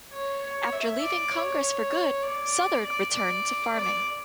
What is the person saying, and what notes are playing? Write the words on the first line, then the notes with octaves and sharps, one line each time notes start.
After leaving Congress for good, Southard returned to farming.
C#5
C#5
E5
D5
C#5
D5
D5
D5
D5